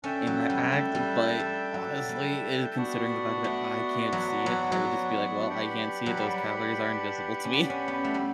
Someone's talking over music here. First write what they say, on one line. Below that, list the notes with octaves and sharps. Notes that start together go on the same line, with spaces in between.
in that act. But, honestly, eh, considering the fact that I can't see it, I would just be like, "Well, I can't see it. Those calories are invisible to me."
C#4 D4 A4 E5 G5
F#3
G3
A3
G3
G3
F#3
G3
B3 D4 F#4
A3
F#3
F#3
F#3
D4 G4 B4 F#5
F#3
G3
C#4
B3
C#4
B3
A3
G3